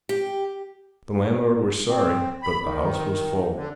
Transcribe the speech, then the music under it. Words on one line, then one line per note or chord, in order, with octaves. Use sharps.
The landlord was sorry, but the house was full.
G4
C4
B5
D#3
D3